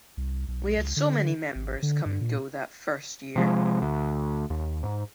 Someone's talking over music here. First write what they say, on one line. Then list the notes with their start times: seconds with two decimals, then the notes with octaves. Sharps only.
We had so many members come and go that first year.
0.17 C2
0.48 B1
0.78 C#2
0.97 D3
1.55 G#1
1.83 D3
2.06 G2
2.21 A#2
3.36 C3 F3 G#3
3.82 D2
4.50 D#2
4.83 G#2